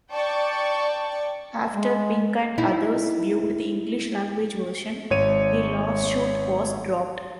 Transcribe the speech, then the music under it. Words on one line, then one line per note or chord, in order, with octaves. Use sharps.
After Pink and others viewed the English-language version, the lawsuit was dropped.
D5 G5 A5 C#6
G#3
D#4 E4
G#1 C#5 D#7